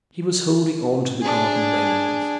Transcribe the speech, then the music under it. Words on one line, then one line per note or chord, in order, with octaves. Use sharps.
He was holding on to the garden railings.
D4 G#4